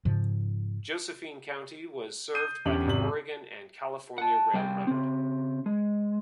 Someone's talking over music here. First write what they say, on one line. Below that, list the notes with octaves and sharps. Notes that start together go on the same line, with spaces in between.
Josephine County was served by the Oregon and California Railroad.
G#2 C#3 F3
D#6 G6 C7 D#7
E2 D3 C#4 G4 F#7
G#1 C3 F#7
F#5 A5
C3 G3 F5 G5 G#5
C#3 C4
G#3